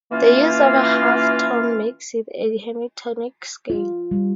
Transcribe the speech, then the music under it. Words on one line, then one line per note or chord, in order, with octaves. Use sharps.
The use of a half tone makes it a Hemitonic scale.
E3 A#3 C#4 F4
F4
G3